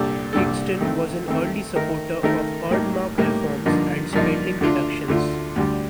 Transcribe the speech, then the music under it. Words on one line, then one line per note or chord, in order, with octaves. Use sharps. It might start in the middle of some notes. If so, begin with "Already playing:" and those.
Kingston was an early supporter of earmark reforms and spending reductions.
Already playing: C2 A#2 G3 D4 A4
C2 A#2 G3 D4 A4
D#3 A3 C4
D#3 A3 C4
D#3 A3 D#4 A#4
D#3 A3 D#4 A#4
A2 G3 A#3 D#4
A2 G3 A#3 D#4
G2 D3 F3 A#3 D#4
G2 D3 F3 A#3 D#4
D2 D3 A3 D4 F4
D2 D3 A3 D4 F4
D2 D3 G3